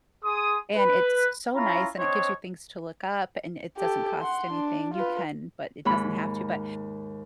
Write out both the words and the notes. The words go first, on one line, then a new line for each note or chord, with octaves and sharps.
and it's so nice and it gives you things to look up and it doesn't cost anything, you can, but it doesn't have to, but,
G#4 C6 D#6
B4
C#4 E4 F4 A#5 B5
C4 D4 C5 C#5 D#5
G4 A4
F#5 C6
D4
F4 B4
D#2 G#2 B5